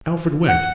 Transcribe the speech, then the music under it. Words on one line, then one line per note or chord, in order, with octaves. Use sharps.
Alfred went.
F#5